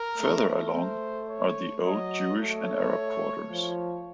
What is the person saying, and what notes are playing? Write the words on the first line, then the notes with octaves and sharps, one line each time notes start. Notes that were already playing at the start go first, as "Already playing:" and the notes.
Further along are the old Jewish and Arab quarters.
Already playing: A#4
A3
C5
C#5
F#3 D#5
A3 C#5
F3